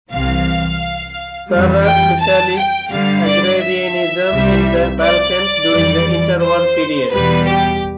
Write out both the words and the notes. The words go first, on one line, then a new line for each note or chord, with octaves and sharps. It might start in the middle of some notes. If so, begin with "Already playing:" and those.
Sarras Michalis, Agrarianism in the Balkans during the Interwar Period.
C2 C3 E3 F5
F2 E3 G3
G5
A5
G5
G2 D3 G3 F5
D5
E5
C2 C3 G3
D5
F2 E3 G3
C5
E2 B2 G3 B4
G4